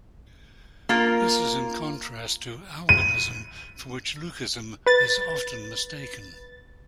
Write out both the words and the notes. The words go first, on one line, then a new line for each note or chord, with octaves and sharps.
This is in contrast to albinism, for which leucism is often mistaken.
A#3 F4 A#4
D#7
B4 A6